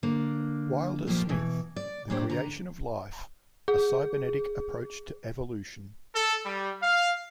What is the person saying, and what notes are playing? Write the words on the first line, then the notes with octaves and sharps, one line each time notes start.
Wilder-Smith, "The Creation of Life: A Cybernetic Approach to Evolution".
D3 A#3
A#2 F3 A3 A#3 F4 G4
B2 E3
D5
A2 A#3 D4 G4 C5
D3 A#5
G#4
A4
G3
F5